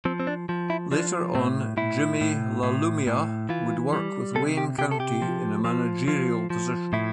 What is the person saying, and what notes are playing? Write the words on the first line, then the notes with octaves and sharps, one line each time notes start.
Later on Jimi LaLumia would work with Wayne County in a managerial position.
F3 C4
C4
D4
F3
E4
F3 D4
A2 C4
A2 E4
A2
A2
A2
E3 F4
G3
C3 A4
G4
C3 G4
A4
G4
F3
F3
F3
F3
A2 E4